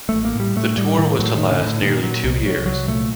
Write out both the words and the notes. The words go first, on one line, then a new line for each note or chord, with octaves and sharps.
The tour was to last nearly two years.
A3
A1
A#3
A2 G3
A2 A3
A2 G3
A2 D#3
A2 F#3
A2 D#3
D3
A2
D3
A#2 D#3
A#2 F#3
C2
C2 F#3
C2 F#3
A#2 A3